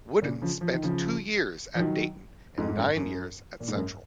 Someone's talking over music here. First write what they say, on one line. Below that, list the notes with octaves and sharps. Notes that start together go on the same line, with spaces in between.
Wooden spent two years at Dayton and nine years at Central.
A#2 C#3
C#3 F3
F3
D#3
C#3 F3
F3
D#3 F#3
F2 G#2
G#2
F#2
F#2
A#2
G#2
F#2